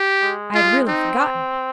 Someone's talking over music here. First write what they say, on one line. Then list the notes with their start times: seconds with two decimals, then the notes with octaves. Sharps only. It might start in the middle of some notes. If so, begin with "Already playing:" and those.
I had really forgotten.
Already playing: G4
0.22 G#3
0.54 G#3 F4
0.87 C4 D#4